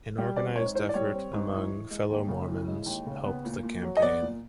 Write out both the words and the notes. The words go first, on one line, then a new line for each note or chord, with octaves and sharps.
An organized effort among fellow Mormons helped the campaign.
G3
C4 D5
G#2 C#5
E3 C5
D5
G3 C#5
C4
G#2
E3
E3
G#3
D#2
C#3
E3
G#3
D#2
C#3
B3
A#2
A#2
F#3
D#5
B3 D5
A#2